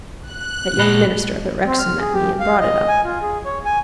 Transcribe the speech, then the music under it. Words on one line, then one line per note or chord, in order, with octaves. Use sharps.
That young minister up at Rexton met me and brought it up.
F#6
A#2 B5
C4
F6
G#4
G4
F5
D#5
G#5
F4
G#4
C#5
G#5